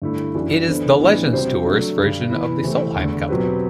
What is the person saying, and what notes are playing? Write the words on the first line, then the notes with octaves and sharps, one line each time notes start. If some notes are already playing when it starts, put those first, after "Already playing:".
It is The Legends Tour's version of the Solheim Cup.
G2 D3 A3 E4
F#2 E3 G3 D4 F#4
E3 B3 D4 A4 C5
A2 E3 G3 B3 D4
C3 G3 C4 F#4 C5
F#3 A3 D4 A4
G2 D3 G3
E3 B3 E4
C3 E3 A3 C4 G4
E2 D3 A3
B2 F#3 C4 G4 B4